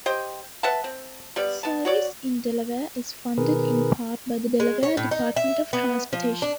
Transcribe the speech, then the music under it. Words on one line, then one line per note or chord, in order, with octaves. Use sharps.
Service in Delaware is funded in part by the Delaware Department of Transportation.
G4 C5 D#5 G5
B4 E5 F#5 A5
C4
G3 B3 D5
B3 A5
F#4 C#5 D5
B2 D#3 G#4 A#4 B4
G#3
C#5
A2
D#4
E5
B3
F3
D4